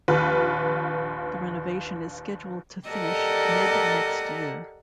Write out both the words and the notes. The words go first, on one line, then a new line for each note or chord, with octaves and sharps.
The renovation is scheduled to finish mid next year.
A#1 D#2 F4 B4
G4 A4 A#4 D5 D#5 F#5